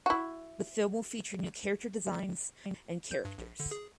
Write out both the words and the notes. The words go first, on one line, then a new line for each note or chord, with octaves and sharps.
The film will feature new character designs and characters.
E4 F#4
G6
G2
A#1
D3
G#4